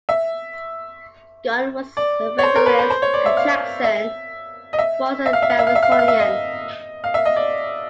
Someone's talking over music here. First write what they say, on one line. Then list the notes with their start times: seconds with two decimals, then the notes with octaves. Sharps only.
Gunn was a Federalist, and Jackson was a Jeffersonian.
0.09 E5
1.97 D5
2.38 C#5
2.43 C5
2.56 A#4
2.66 B4
2.79 C5
2.90 C5
3.02 C#5
3.14 D5
3.26 E5
3.37 F5
3.84 E5
4.73 D#5
4.79 E5
5.26 E5
5.33 F5
5.42 E5
5.50 F5
5.59 E5
5.67 F5
5.75 E5
5.83 F5
5.92 E5
5.99 F5
6.08 E5
6.20 D#5
7.04 F5
7.14 E5
7.26 D#5
7.36 D5